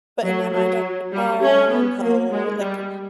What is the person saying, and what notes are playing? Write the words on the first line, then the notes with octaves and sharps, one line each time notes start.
But in my mind I was like, "Oh, no. Like,
F#3
F#3
G3
C#4
B3
A#3
G#3
G3